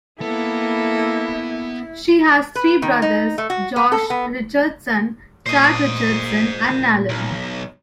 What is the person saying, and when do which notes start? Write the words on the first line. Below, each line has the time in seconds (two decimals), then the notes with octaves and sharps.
She has three brothers: Josh Richardson, Chad Richardson, and Nalin.
0.21 A#3 B3 E4 A4
2.55 B4
2.82 D#3
3.02 D#4
3.38 A3
3.50 F#4
3.76 B3
3.92 A4
4.10 B3
5.46 A#2 C5 D#5
7.09 B1